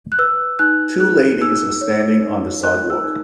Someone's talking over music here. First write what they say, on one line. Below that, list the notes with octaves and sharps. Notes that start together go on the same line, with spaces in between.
Two ladies are standing on the sidewalk.
F#6
B4 E6
D#4 F#6
G#4 F#6
D#4 E6
C#5
D#4
A#4 F#6
E6
D#4